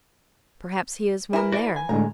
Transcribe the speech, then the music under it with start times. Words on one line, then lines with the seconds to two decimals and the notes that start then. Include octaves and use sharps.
Perhaps he has won there.
1.33 E3 E4 A#4
1.52 F#4 D5 E5
1.76 G#5
1.89 A2 D3 G#3 A#5